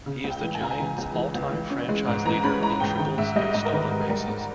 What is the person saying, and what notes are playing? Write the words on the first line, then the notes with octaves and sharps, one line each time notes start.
He is the Giants' all-time franchise leader in triples and stolen bases.
C#3
C#2
G5
E3
G#5
C#2 A#5
G#5
C#3
C#2
E3
C#2
E3
C#4
G#3
G#2
E3 A#5
C#4 B5
G#3 A#5
G#2 G5
D#3 G5
G#2 E5
G3 D#5
G#2 D#5
A#4
D#3 B4
G#2
G3 A#4
G#2